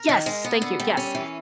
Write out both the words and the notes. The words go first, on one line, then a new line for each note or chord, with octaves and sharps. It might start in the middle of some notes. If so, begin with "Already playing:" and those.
Yes, thank you, yes,
Already playing: A#4
D#3
G#3
B3
D3
G3
C#4
E3